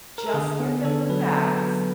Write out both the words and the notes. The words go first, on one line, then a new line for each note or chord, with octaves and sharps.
just give them the facts,
A#4
A4
D3 G#4
B3
D3 A4
F#3 B4
B3
F#3